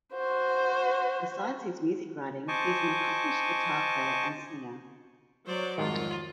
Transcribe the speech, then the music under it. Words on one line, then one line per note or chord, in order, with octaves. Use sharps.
Besides his music writing, he is an accomplished guitar player and singer.
F#4 C5
C5 D#5 G#5 A5 C#6 D6
F#3 C5 D5
F2 G#2 D#3 G3 G#3 F4